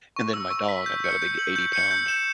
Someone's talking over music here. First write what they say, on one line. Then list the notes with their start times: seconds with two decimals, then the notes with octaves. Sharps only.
and then my dog I've got a big eighty-pound
0.16 C#6
0.34 E6
0.50 C#6
0.69 B6
0.86 G6
1.04 C#7
1.22 G6
1.39 F#7
1.56 G6
1.73 C#7
1.91 G6
2.08 E7